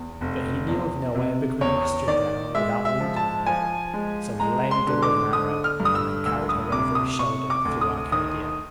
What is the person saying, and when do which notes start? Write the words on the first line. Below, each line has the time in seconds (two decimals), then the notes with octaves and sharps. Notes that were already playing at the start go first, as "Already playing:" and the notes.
But he knew of no way of becoming master of the animal without wounding her, so he lamed her with an arrow and then carried her over his shoulder through Arcadia.
Already playing: E2
0.21 F1
0.68 E2
1.15 C3
1.61 E2 C#5
2.08 D#3 D5
2.55 G#3 E5
2.85 E5
3.00 F3
3.16 A5
3.46 F3 G#5
3.94 G#3
4.40 G#3 A#5
4.71 C6
4.87 D3
5.03 D6
5.33 D3 D#6
5.64 F6
5.80 G2
5.85 D#6
5.95 E6
6.26 D2 E6
6.49 D#6
6.72 C3 D6
6.95 D#6
7.19 C3 C#6
7.50 D6
7.65 D2
7.81 D#6
8.12 D#3 D#6